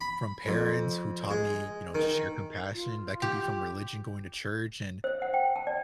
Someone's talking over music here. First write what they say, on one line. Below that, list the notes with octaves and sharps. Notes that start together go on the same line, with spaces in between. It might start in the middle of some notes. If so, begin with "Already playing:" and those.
from parents who taught me, you know, to share compassion, that could be from religion, going to church and
B5
F2
G#3
D#3
F4
G4
C5
F#5
G5
A5
D5